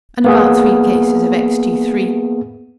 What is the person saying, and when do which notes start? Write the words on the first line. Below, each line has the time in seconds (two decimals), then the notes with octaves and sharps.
And about three cases of Extee Three.
0.25 A#3 B3 G#4